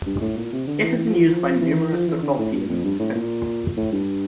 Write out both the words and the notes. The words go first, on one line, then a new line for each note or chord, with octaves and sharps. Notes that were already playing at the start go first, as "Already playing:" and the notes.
It has been used by numerous football teams since.
G2
A2
A#2
C3
D3
E3
E3
F3
E3
F3
E3
F3
E3
D3
A2
G2
F2
G2
A2
A#2
A2
G2